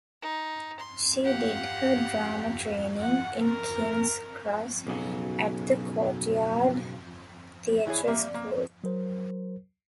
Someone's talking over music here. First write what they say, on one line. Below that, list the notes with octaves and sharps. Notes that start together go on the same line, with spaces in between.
She did her drama training in King's Cross, at the Courtyard Theatre School.
D#4
C6
G4 F5 F#5
F#5
A#4
B1 C#3 F3 F#3
A2 E3 E4 G#4 C#5
G3 A#3 E5
A#3
F#3 A#4 C5